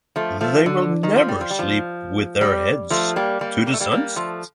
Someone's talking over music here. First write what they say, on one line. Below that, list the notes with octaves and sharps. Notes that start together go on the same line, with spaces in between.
They will never sleep with their heads to the sunset.
F3 A3
F3 A3
D3
D#3
F3
G3
F3
G3
F3
G3
F3 A3
G3 A#3
G3 A#3
A#3
A3
G3 A#3
G3 A#3
F3 A3